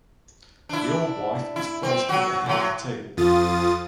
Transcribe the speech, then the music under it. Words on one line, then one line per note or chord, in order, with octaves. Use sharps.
The Old Wife is placed at the head of the table.
D4 E4
E4
C4
F#3 F#4
A2 F#3
F2 F4 D#6 A6